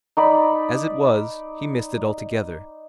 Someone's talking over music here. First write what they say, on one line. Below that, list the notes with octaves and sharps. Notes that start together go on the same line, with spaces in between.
As it was, he missed it altogether.
D#4 D5 B5